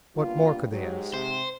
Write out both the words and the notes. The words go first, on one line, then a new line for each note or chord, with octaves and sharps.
What more could they ask?
G2 A#3 B3 F4
G#2 F#3 G#3 G4
C3 C5